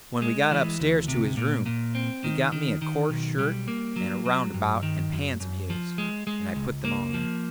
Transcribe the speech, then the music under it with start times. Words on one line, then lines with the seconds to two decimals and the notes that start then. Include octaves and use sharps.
When we got up-stairs to his room he got me a coarse shirt and a roundabout and pants of his, and I put them on.
0.22 G#3
0.51 E3
0.80 D2
1.08 C3
1.37 A#2
1.66 A#2
1.95 C4
2.24 D#3
2.52 D#3
2.82 D#3
3.10 B1
3.39 G3
3.68 A#3
3.96 F#3
4.26 F#3
4.54 G2
4.83 D#3
5.12 F#2
5.40 F#2
5.70 F3
5.98 G#3
6.27 G#3
6.56 C#2
6.85 A#3
7.14 F3